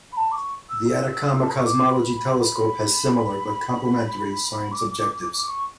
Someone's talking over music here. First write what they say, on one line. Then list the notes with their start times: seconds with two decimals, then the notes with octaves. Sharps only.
The Atacama Cosmology Telescope has similar, but complementary, science objectives.
0.13 B5
0.17 A5
0.32 D6
0.35 C#6
0.69 E6
0.89 E6
1.42 A5
1.50 B5
1.57 C#6
1.65 D6
1.90 B5
2.16 B5
2.41 B5
4.72 D6
5.38 D6
5.48 C#6